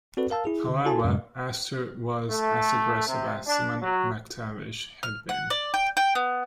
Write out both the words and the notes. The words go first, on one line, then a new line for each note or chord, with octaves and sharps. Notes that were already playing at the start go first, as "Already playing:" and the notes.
However, Astor was as aggressive as Simon McTavish had been.
C4 F#4 A4 B4 D5
A#4 F5 A5 E6
E4 G#4
D3
E4 F#4 A4 G#5 A5
F#2 A2 C3 G#3
A3
C3
D4
F#3
F6
F#5
D5
G5
G5
B3